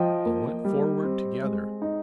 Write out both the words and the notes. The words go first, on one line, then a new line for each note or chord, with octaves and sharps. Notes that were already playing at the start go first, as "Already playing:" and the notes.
They went forward together.
Already playing: F3 D#5 G5
A#3
G3
C4
G#3
D#4